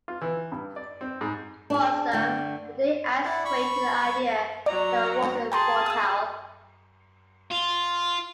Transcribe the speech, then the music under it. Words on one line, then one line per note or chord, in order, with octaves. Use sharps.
For some, the day adds weight to the idea that war is futile.
F4
E3
G2
D5
C4
G#2
D4 G#4
D3 A3 G5
E4 D5 F#5
B5 C#6
F#3 D5 A#5
G#4 G5 A5 A#5 C6
D#6 E6
F4